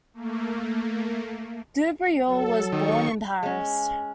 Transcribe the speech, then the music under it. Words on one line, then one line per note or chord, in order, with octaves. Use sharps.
Dubreuil was born in Paris.
A3 A#3
F#3 A4
D#3 C#6
G#3 C#4